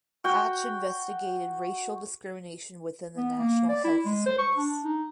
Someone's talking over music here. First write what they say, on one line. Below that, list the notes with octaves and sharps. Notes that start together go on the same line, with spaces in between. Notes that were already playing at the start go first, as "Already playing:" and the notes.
Hatch investigated racial discrimination within the National Health Service.
F#4 G5
B3
A#3
D5
E4
G#3
C5
C#6
D4
D#4